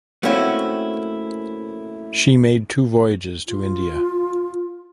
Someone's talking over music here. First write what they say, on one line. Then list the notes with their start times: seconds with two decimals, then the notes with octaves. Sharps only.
She made two voyages to India.
0.23 A3 A#3 C4 C#4 E4 F#4
3.48 F4